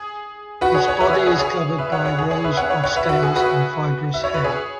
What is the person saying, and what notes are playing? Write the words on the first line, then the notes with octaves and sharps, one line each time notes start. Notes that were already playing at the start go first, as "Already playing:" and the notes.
Its body is covered by rows of scales and fibrous hair.
Already playing: G#4
F#4 B4
G#4 C#5
G#4 C#5
B4 E5
G#4 C#5
G#4 C#5
G#4 C#5
B4 E5
C#5 F#5
C#5 F#5
G#4
G#4 C#5
B4 E5
C#5 F#5
C#5 F#5
C#5 F#5
B4 E5
F#4
G#4
F#4 B4
E5
C#5
B4
G#4 C#5